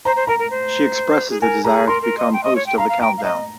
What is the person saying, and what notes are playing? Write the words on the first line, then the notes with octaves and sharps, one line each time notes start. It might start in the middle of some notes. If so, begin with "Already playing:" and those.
She expresses the desire to become host of the countdown.
C5 A#5
C5
A#4 A#5
A#4
C5
G#4
A#4 G#5
G#4 A#5
A#4 C6
A#4
D#5
G5
D#5
C#5
G5
F5 A#5
F5
G5 A#5
F5
D#5 A#5